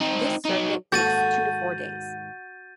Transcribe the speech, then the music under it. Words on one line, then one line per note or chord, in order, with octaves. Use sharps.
This circuit takes two to four days.
C4 D#4
F#3 D#4
D#2 G#2 F#4 A4 G6 A6 D#7